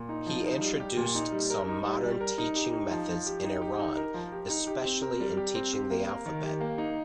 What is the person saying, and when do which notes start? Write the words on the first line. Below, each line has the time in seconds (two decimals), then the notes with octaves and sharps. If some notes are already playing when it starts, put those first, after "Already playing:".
He introduced some modern teaching methods in Iran, especially in teaching the alphabet.
Already playing: A#2
0.09 D#4
0.26 F3
0.44 D#4
0.61 G3
0.80 G4
0.97 A#2
1.15 D#4
1.32 G3
1.50 A#4
1.68 D#4
1.85 G3
2.03 G3
2.20 A#4
2.38 D#4
2.55 G4
2.73 D#4
2.91 F3
3.09 F3
3.26 G4
3.44 D#4
3.62 G4
3.79 D#4
3.97 A#4
4.14 F3
4.32 G4
4.50 D#4
4.67 G4
4.84 C4
5.02 A#4
5.20 G3
5.37 G4
5.55 C4
5.73 G4
5.90 A#3
6.08 A#4
6.26 D#3
6.43 G4
6.61 A#3
6.78 D#4